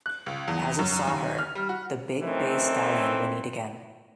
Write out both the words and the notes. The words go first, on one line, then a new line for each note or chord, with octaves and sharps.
As it saw her, the big bay stallion whinneyed again.
F#6
C#2
E2
F#2
D#2
F6
G3
F#4
F#2 A2 D#3 E3 A3 C4